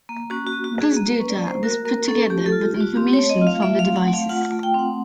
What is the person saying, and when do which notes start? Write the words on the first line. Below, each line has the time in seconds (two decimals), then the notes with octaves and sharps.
This data was put together with information from the devices.
0.09 A#3
0.30 C#4 F#4
0.47 F#4
0.52 A#3
0.64 F#4
0.76 F#4
0.81 G#4
0.97 A#3
1.14 B4
1.20 C#4
1.30 D5
1.42 A#3
1.47 C5
1.63 F#4 A#4
1.85 A#3 A#4
2.08 C#4 A4
2.30 A3 G4
2.46 A4
2.52 F4
2.63 G4
2.74 A3
2.80 F#4
2.96 C4 G4
3.13 C#5
3.19 A3
3.30 D#5
3.41 F4
3.47 F5
3.62 A3 E5
3.79 F5
3.85 C4
3.96 F#5
4.08 A3
4.13 F5
4.29 F4 F#5
4.52 A3
4.63 G5
4.74 C4 F#5